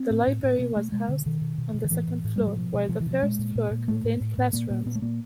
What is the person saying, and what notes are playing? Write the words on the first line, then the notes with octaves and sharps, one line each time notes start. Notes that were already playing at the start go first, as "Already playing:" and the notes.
The library was housed on the second floor, while the first floor contained classrooms.
Already playing: C4
A2
A2
A2
B2 B3
B2 A3
B2 G#3
B2 D3
B2 D#3
B2
B2
B2
D#3
A2 E3
A2
A2
A2 G3
F#3
B2 F3
B2
B2 F3
E3
B2 F3
A#2 G#3
A#2
A#2
A#2
A2 A3
A2
A2
A2
A#2 A#3
A#2 A#3
A#2 B3
A3
A#2 A#3